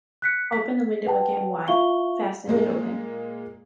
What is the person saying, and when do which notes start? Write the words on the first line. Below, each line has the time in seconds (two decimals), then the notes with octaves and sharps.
Open the window again wide: fasten it open!
0.22 F#6 B6 C#7
0.53 B6
1.06 B4 F#5 G5 A5
1.68 E4 F4 E5 F5 C#6 G7
2.47 A#2 G#3 A#3